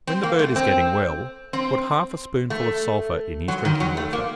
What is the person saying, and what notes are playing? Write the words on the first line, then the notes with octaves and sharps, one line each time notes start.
When the bird is getting well, put half a spoonful of sulphur in his drinking-water.
C4
A#3
A3
C4
C4
A3
F#3
D#3
F#3
A3
A#3